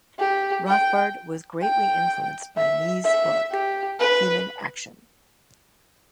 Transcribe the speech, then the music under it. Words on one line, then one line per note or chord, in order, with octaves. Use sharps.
Rothbard was greatly influenced by Mises' book, "Human Action".
G4
G5
G5
E5
E5
G4
B4